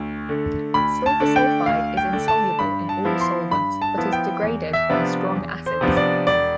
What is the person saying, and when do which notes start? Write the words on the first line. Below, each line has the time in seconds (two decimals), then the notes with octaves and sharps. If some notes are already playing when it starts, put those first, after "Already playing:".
Silver sulfide is insoluble in all solvents, but is degraded by strong acids.
Already playing: D2
0.29 D3 A3
0.74 D2 B5
1.06 A5
1.20 D3 A3 D4
1.36 G5
1.66 D2 F5
1.97 G5
2.13 D3 A3 D4
2.28 A5
2.59 G2 B5
2.89 A5
3.05 F3 B3 E4
3.21 C6
3.51 G2 B5
3.82 A5
3.98 F3 B3 E4
4.13 G5
4.43 E2
4.73 E5
4.89 C3 F3 B3 D4
5.35 E2
5.66 C5
5.81 C3 F3 B3 D4
5.97 D5
6.27 E1 D5